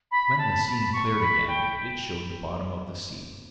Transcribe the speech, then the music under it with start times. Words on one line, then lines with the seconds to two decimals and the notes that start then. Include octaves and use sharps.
When the scene cleared again, it showed the bottom of the sea.
0.11 B5
0.38 A5
0.65 B5
0.92 C#6
1.19 B5
1.47 G5